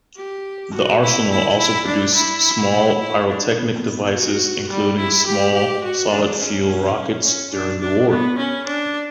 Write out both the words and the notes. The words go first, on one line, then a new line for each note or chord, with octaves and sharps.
The arsenal also produced small pyrotechnic devices including small solid-fuel rockets during the war.
G4
F#4
E4
E4
E4
D4
E4
E4
D4
B3
F#4
G3
E4
G4
G4
F#4
D4
C#4
C#4
D4
D4
B3
C#4
D4